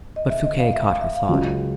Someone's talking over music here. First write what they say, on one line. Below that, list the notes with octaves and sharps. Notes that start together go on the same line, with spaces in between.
But Fouquet caught her thought.
D#5
E5
D#5
F5
E5
F5
E5
F5
C#2 C#3 F#3